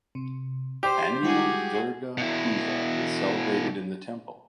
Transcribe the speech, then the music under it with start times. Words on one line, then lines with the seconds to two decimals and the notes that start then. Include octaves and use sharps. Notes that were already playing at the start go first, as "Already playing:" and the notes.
Annual Durga Puja is celebrated in the temple.
0.15 C3
0.83 G4 C5 D5
1.22 G3 G#3 E4 F#4 G#4
2.18 B2 E4